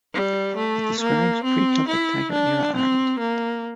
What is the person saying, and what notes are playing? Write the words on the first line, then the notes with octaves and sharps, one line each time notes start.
It describes pre-Celtic Tiger era Ireland.
G3
A3
A#3
C4
E4
D4
C4
A#3